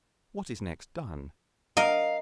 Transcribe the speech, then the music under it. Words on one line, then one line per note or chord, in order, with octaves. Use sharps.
What is next done?
A#4 D#5 F5